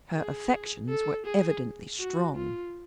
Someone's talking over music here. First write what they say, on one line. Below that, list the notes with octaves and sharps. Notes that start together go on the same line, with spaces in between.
Her affections were evidently strong.
G#4
A4
G#4
F#4
F4